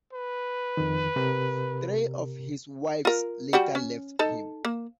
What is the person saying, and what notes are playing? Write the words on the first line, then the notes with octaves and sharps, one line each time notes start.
Three of his wives later left him.
B4
F2 D#3
C3 G4 A#4
F4 A#4
G3 F#4 G5
C#4
D#4 A4 A5
A#3